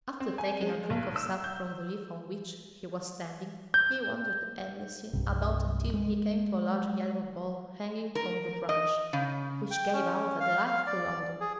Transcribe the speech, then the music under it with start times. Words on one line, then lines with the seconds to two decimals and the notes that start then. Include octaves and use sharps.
After taking a drink of sap from the leaf on which he was standing, he wandered aimlessly about until he came to a large yellow ball hanging from the branch, which gave out a delightful odor.
0.20 C4
0.38 G#5
0.61 G#3
0.90 B1
1.16 E6
1.44 G6
3.74 G6
5.13 C2 G2 C3
5.94 G#3
8.15 A#4
8.69 D#5
9.13 C#3
9.71 G5
9.93 C#4
10.40 F5
10.67 F5
10.87 D5
11.40 G#4